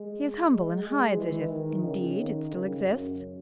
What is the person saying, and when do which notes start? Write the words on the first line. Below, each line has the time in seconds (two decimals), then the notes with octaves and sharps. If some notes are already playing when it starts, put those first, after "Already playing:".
He is humble and hides it, if, indeed, it still exists.
Already playing: G#3
0.50 G#3
0.84 G#3
1.17 E3
1.51 D#3
1.85 C#3
2.18 D#3
2.52 C#3
2.86 F#2